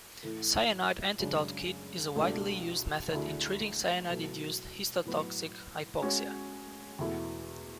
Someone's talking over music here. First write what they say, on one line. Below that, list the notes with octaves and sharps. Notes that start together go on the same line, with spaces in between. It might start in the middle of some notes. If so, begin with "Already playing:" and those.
Cyanide antidote kit is a widely used method in treating cyanide induced histotoxic hypoxia.
A2 E3 A3
F#2 C#3 G#3 D4
C#2 B2 A3 D4
D2 D3 A3 E4 G#4
B2 F#3 A3 E4
A2 F#3 B3 F#4
G#3 C#4 F#4 C#5
E2 B2 A3 E4